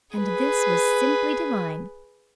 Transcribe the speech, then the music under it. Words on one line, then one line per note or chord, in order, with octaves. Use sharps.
And this was simply divine.
G#4 B4